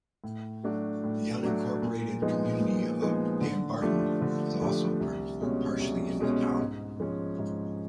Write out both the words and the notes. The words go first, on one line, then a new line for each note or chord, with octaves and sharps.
The unincorporated community of Dunbarton is also partially in the town.
A2
F#3 A3 D4 F#4
A2
F#3 A3 D4 F#4
A#2
F3 G#3 B3 D#4
A#2
F3 G#3 B3 D#4
D3
F3 A3 D4 G4
D3
F3 A3 D4 G4
C2
B2 G#3 C#4
C2
B2 G#3 C#4
G#2
F3 G#3 C#4
G#2